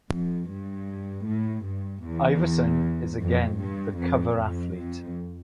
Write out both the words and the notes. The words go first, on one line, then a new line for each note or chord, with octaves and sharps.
Iverson is again the cover athlete.
F2
G2
A2
G2
E2
F2
G2
F2
F2
F2